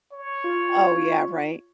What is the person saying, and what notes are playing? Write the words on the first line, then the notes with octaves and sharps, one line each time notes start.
Oh, yeah, right?
C#5
F4